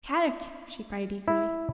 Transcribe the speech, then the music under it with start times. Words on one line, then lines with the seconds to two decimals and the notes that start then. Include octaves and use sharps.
"Kadok!" she cried eagerly.
1.28 E4